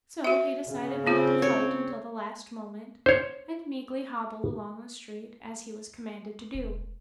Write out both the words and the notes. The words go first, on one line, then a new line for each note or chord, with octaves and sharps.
So he decided not to fight until the last moment, and meekly hobbled along the street, as he was commanded to do.
F#4 E5
C#3
B3 C4 F4
C#5
C5 C#5
E1